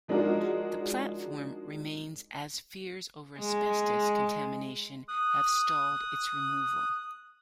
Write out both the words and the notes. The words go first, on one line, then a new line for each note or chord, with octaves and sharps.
The platform remains, as fears over asbestos contamination have stalled its removal.
F3 G#3 D4 D#4 F#4 A#4
G#3
D#6 F#6